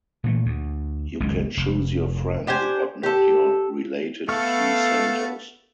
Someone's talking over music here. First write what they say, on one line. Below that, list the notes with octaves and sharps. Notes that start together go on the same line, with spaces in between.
You can choose your friends, but not your related key centers.
A#2 E3 A3
D2
F#1 C#2 G2 D#3
F1
D4 G4 C5 G#5
G4 A4
A3 B3 A4 F5 C#6 F6